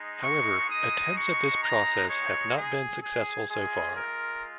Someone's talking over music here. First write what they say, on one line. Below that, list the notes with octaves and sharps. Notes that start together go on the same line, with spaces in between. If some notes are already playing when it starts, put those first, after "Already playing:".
However, attempts at this process have not been successful so far.
Already playing: G#3 D#4
C#6
D#6
C#6
A#5
C#5
G#4
G#4
G#3 F4 G#4
A#4